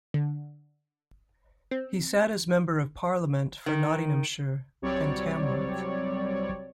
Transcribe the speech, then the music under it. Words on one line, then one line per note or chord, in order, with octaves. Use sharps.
He sat as Member of Parliament for Nottinghamshire and Tamworth.
D3
C4
D#3
C2 F#3 G3 C4 C#5 D5